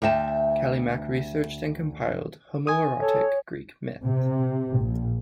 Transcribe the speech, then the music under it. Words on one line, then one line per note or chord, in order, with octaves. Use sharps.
Calimach researched and compiled homoerotic Greek myths.
D2 E5 G5 A5
G#5 D#6
A4 C#5
C3
A#1